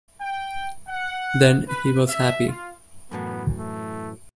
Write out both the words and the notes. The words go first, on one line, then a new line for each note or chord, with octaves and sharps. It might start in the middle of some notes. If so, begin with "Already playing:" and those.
Then he was happy.
G5
F#5
B4
E5
F4
F#2 A2 E3 B3
A3